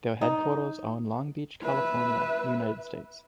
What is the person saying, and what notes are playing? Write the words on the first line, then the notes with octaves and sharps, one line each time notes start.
Their headquarters are in Long Beach, California, United States.
D#4
B4 E5